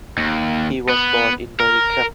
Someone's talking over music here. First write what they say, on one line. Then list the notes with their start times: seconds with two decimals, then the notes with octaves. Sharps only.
He was born in Berekum.
0.18 D#2
0.89 B3
1.60 A#4